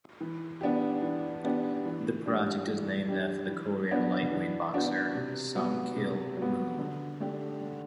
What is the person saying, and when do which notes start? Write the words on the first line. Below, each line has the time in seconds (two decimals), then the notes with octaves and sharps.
The project is named after the Korean lightweight boxer Sung-Kil Moon.
0.21 E3
0.61 B3 D4 G4
1.02 E3
1.44 B3 D4 G4
1.85 E3
2.26 G3 D4 G4
2.67 E3
3.08 G3 D4 G4
3.49 E3
3.91 B3 D4 F#4
4.32 E3
4.73 B3 D4 F#4
5.15 C3
5.55 F#3 B3
5.96 C3
6.37 F#3 B3
6.78 D3
7.20 A3 D4 G4
7.61 D3